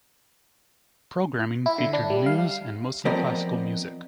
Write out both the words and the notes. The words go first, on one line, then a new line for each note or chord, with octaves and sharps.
Programming featured news and mostly classical music.
E4
D3
D4
G3
F5
F3 B3 C4 A#4 D5 D#5